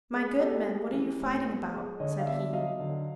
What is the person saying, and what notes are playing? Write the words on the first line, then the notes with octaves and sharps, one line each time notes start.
'My good men, what are you fighting about?' said he.
G#3
B3 G4 A4
G#3
E3
A2
B3
G#3
D3 C#5 D#5
F5
B3 D5 E5
F#3 D#5 F5
D3